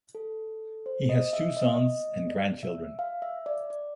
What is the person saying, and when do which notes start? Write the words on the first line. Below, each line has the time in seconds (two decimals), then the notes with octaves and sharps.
He has two sons and grandchildren.
0.15 A4
0.86 C5
1.09 D#5
1.33 E5
1.57 D#5
2.28 D5
2.63 E5
2.99 F5
3.22 E5
3.46 D5
3.70 D5